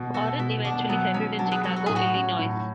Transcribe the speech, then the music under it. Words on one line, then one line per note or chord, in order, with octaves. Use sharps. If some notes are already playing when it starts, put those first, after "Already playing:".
Warren eventually settled in Chicago, Illinois.
Already playing: B2
B2 F#4 A4
B2 E4
B2 D4
F#3 B3
F#3 C#4
F#3 D4
G#4 B4
F#3 F#4 A4
F#4
A2 G#4
F#4
C#4
A2